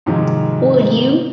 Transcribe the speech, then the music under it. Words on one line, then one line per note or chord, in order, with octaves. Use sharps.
Would you?
G#2 C3 D#3 F3 F#3 G#3